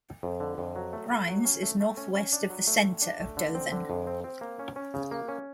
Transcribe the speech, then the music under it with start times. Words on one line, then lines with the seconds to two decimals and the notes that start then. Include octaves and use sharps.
Grimes is northwest of the center of Dothan.
0.23 F2
0.40 D3
0.58 F2
0.76 F#3
0.93 A3
1.10 A3
1.28 F#3
1.45 C#4
1.62 A3
1.80 A3
1.97 C#4
2.14 C#4
2.33 D4
2.50 F#3
2.67 A3
2.84 D3
3.02 D4
3.20 A3
3.37 D3
3.55 C4
3.72 D3
3.90 F2
4.07 C4
4.24 C4
4.41 A#3
4.59 C#4
4.76 C#4
4.94 C#3
5.11 A#3
5.28 C#4